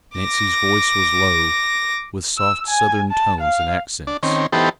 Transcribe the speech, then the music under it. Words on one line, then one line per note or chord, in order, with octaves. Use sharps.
Nancy's voice was low, with soft, southern tones and accents.
D6 A#6
E6
G#5
A5
F5
D4
D#3 C4 C#4
E3 B3 D#4 G4 A4 C5